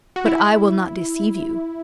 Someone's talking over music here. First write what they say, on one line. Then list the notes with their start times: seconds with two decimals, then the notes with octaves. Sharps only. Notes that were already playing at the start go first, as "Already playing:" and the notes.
But I will not deceive you.
0.16 F#4
0.26 E4